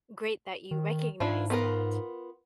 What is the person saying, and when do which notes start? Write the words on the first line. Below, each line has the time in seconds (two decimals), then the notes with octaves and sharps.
great that you recognize that.
0.71 D#3
1.20 G#2 D4 E4 F4
1.50 B3 F4 A#4